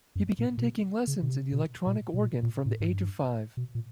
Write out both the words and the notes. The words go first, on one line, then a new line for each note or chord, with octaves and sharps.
He began taking lessons in the electronic organ from the age of five.
F#2
A#2
A#2
B2
C#3
B2
C3
B2
A#2
B2
A#2
A#2
A2
G#2
G2
B2
A#2